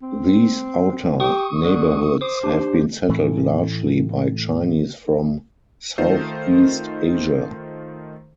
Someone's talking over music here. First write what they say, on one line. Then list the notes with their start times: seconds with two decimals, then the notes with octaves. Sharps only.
These outer neighborhoods have been settled largely by Chinese from Southeast Asia.
0.02 C4
1.20 G4 C#6 D#6
1.63 D3
2.21 C5 D6 D#6
2.43 D4 G4
3.09 A2 E3 A3
5.98 D#3 A3 D#4 F4 C5